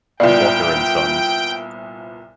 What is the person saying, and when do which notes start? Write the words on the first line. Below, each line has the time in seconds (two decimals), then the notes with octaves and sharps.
Walker and Sons.
0.20 C2 A#2 B3 D5 G5